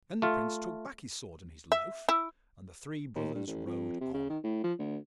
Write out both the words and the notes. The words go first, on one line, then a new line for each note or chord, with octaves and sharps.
Then the Prince took back his sword and his loaf, and the three brothers rode on.
A3 F4
E5
E4
D#2
G2
A1
F2
C3
C#3
D#3
A2
F3
D2